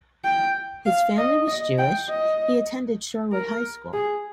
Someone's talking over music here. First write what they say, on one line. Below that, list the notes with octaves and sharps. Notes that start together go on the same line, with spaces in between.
His family was Jewish; he attended Shorewood High School.
G5
F5
D#5
D#5
G5
D#5
A#4
G#4